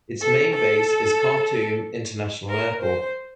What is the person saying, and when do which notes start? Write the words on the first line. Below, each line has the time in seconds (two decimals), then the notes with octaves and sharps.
Its main base is Khartoum International Airport.
0.21 A4
0.54 A4
2.49 A#4
2.82 C5